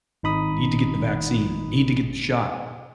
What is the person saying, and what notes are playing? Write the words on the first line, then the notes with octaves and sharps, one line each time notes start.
I need to get the vaccine, I need to get the shot,
G#1 D#4 B5 D#6